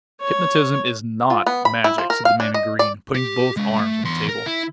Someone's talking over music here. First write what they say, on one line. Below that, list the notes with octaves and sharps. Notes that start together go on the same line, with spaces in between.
"Hypnotism is not magic," said the man in green, putting both arms on the table.
C#5
F4
B3
B5
E4
F3
A#4
F5
D4
D#5
D5
G4
G#3 F5
A3
E2 C6
A#4
E4